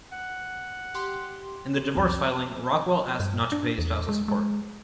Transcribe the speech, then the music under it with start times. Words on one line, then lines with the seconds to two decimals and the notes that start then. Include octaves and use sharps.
In the divorce filing, Rockwell asked not to pay spousal support.
0.12 F#5
0.94 G4 C6
1.95 C2 F2 C4
3.20 G2
3.52 D4
3.78 E2
4.09 G#3
4.28 G#3